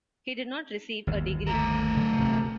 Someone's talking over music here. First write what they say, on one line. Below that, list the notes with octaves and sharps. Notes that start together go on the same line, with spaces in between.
He did not receive a degree.
G1 D#2
A3 A#4
D3 F#3
E1 D2 C3